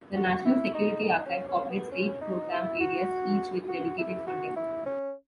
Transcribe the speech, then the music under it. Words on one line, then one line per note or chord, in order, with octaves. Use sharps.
The National Security Archive operates eight program areas, each with dedicated funding.
F#4
E4
D#4
D#4
C#4
C#4
B3
C#4
D#4
E4
F#4
F#4
E4
F#4
E4
C#4